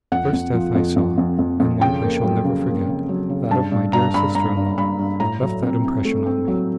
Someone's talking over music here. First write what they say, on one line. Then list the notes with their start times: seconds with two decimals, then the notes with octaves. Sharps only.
The first death I saw, and one I shall never forget--that of my dear sister-in-law--left that impression on me.
0.12 F2 F#5
0.33 F2
0.54 F3
0.75 F2
0.96 F2
1.18 F2
1.39 F2
1.60 F2
1.81 C#3 G5
2.02 A#3
2.23 F#3
2.44 C#3
2.66 A#3
2.87 C#3
3.09 F#3
3.30 C#3
3.51 G2 A5
3.72 G2
3.93 G2 A#5
4.14 G2 B5
4.35 G2 A#5
4.57 G2
4.78 G2 B5
4.99 G2
5.20 A2 A#5
5.42 F#3
5.63 C4
5.84 C4
6.05 A3
6.26 C4
6.48 F#3